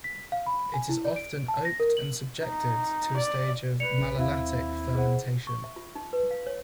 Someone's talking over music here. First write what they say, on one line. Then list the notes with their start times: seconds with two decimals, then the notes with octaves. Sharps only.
It is often oaked and subjected to a stage of malolactic fermentation.
0.04 B6
0.32 F5
0.46 B5
0.74 G#5
0.89 E4
1.05 D5
1.16 D7
1.48 A5
1.65 A#6
1.80 A#4
1.97 F#7
2.41 D#4
3.17 D5
3.80 B4 D5 C#7 F7
3.98 A#1 C#3
4.19 D#2 C4 E4 E5 F5
4.95 G#4 C5 F#5
5.47 C#6
5.64 E5
5.76 F4
5.95 D#4
6.13 B4
6.31 F5
6.46 C#5